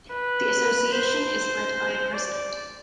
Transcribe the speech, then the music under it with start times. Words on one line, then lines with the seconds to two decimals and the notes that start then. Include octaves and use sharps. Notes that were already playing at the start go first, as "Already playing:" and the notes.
The association is led by a president.
0.11 B4
0.92 C5
2.14 D5